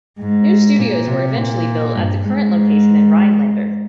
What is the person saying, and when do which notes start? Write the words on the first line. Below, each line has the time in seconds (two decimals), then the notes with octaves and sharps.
New studios were eventually built at the current location in Rhinelander.
0.20 G#2
0.78 A#2
1.07 C3
1.36 A#2
1.95 G2
2.24 G#2